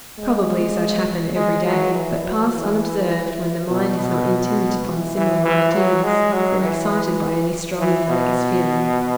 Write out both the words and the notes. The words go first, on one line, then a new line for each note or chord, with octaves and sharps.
Probably such happen every day, but pass unobserved when the mind is not intent upon similar ideas, or excited by any strong analogous feeling.
G#3
G#3
F#3
E3
F#3
E3
B2
B2
E3
E3
E3
F#3
G#3
F#3
E3
E3
B2